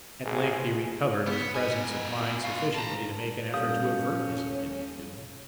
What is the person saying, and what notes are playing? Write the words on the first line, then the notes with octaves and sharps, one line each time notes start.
At length he recovered his presence of mind sufficiently to make an effort to avert his impending doom.
A1 G#4
B3
B2 G#5
F#4 F5
A5 A#5
A#2 G3 C#4 A4 F5 D#6 G6